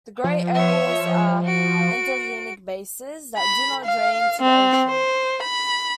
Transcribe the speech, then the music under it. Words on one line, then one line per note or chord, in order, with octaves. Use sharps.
The grey areas are endorheic basins that do not drain to the ocean.
F3
C#5 E5
F#4 D7
B5
F5
C4
C5
B5